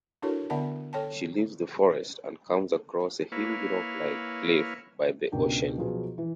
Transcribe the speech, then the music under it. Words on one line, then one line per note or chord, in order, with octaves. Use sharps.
She leaves the forest and comes across a huge rock-like cliff by the ocean.
D4 E4 F#4 A4 A#4 C#5
D3 B3 D5 E5 F#5 A5
A4 C#5 G5 A5
A#3 E4 B4 C#5 F5
C#2 B2 D4 A#4 G5
B2 F3 F#3 F4 G#4 B4
E3